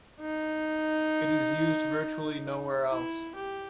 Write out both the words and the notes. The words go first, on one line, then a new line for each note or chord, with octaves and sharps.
It is used virtually nowhere else.
D#4
E4
G4